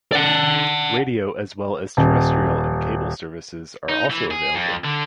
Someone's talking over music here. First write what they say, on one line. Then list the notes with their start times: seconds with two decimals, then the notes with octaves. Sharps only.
Radio, as well as, terrestrial and cable television services are also available.
0.12 D5 F#5
1.97 D#1
3.89 D#4
4.10 E3
4.31 G#4
4.55 F2
4.84 D3